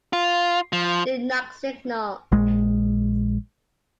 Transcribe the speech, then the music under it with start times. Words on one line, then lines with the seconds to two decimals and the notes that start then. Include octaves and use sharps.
Do not signal.
0.13 F4
0.73 F3
2.32 A#1 G#3